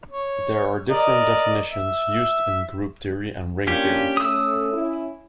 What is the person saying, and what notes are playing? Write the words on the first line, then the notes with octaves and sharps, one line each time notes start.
There are different definitions used in group theory and ring theory.
C#5
A#4 D5 D#5
E5
A#3 C#4 D4 F4 G4
A3 C#4 D#6 E6
C#4 E4